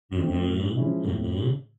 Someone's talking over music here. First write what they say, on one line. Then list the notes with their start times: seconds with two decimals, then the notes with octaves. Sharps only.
Mhm, mhm.
0.18 F3 A3 C4
0.48 A2
0.77 F3 G#3 C#4 E4
1.06 A2